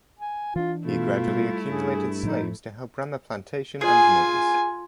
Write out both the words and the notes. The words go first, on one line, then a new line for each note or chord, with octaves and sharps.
He gradually accumulated slaves to help run the plantation and mills.
G#5
E3 D4 F4
B2 A3 E4 F4
G3
G2 G#4
A2 F3 D#4
F4 G#4 G#5